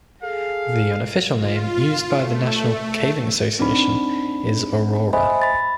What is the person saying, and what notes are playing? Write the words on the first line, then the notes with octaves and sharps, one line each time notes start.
The unofficial name used by the national caving association is "Aurora".
G#4 A4 F5
F4
A3
C4 D4 D#4 B5
C5 D#5 E5 G#5 B5
B5 A6